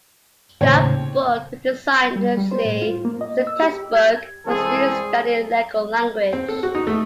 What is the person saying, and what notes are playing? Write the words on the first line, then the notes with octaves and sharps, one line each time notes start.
That book was designed essentially as a textbook for students studying legal language.
D#2 A2 C#3 C4 C#5
G3
G3
C5
A2
F4
A#3
D#5
E6
G4
G#6
C2 E3 G#3 C4 G#4 A4
C4
A4
F#4
D#4
A3